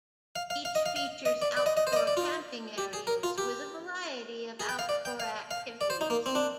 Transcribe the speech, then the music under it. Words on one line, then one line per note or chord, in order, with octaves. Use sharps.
Each features outdoor camping areas with a variety of outdoor activities.
F5
F5
F5
D#5
F5
F5
D#5
D5
D5
D#5
D#5
C5
D#5
D5
D5
F4
G4
G#4
A#4
F4
G4
G#4
G5
F5
D5
G5
F5
F5
D5
C5
D#4
A#3
C4
D4